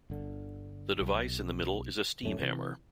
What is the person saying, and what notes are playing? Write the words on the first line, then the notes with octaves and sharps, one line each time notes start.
The device in the middle is a steam hammer.
G1 D3
B1
D1 F#2 A3 C#4
C3 E3